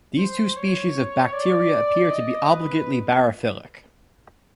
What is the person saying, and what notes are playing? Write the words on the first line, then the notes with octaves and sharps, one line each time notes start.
These two species of bacteria appear to be obligately barophilic.
C5
C#5
D5
D#5
B4